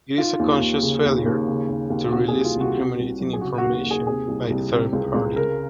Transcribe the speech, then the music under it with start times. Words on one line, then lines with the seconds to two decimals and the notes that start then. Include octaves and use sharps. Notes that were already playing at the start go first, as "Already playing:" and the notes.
It is the conscious failure to release incriminating information by a third party.
0.18 D#3 F4
0.39 D#2
0.60 D#2
0.83 C#3
1.04 D#2
1.26 D#2
1.48 C#3
1.69 D#2
1.90 D#2
2.12 C3 F#4
2.28 G#4
2.34 C2
2.45 F4
2.56 C2 F#4
2.77 C3
2.99 C2
3.20 F#3
3.33 G#4
3.41 C#3 F#4
3.58 F#4
3.64 D#2
3.74 F#4
3.85 D#2
3.91 G#4
4.07 C3 G#4
4.28 C2
4.50 C2
4.72 C3
4.93 C#2
5.14 C#2
5.36 C#3 A#4